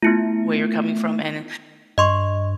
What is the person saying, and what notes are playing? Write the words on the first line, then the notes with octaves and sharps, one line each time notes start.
where you're coming from, and, eh,
A3 B3 E4 F4
G2 D#5 C6 C#6